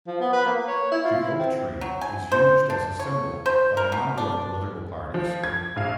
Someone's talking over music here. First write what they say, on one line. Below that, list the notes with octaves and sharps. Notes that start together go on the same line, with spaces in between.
The oak tree is used as a symbol by a number of political parties.
F3
B3
B4
A#3
C#5
E4
F4
E4
C4
F#3
G#5
C5
D4
C#5
C5
A#4
B2
D4
F3
G#6
A#1 F5